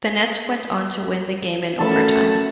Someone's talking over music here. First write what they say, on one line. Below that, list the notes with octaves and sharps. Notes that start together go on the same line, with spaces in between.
The Nets went on to win the game in overtime.
A3 C#4 F#4 A#4 E5 A5 B5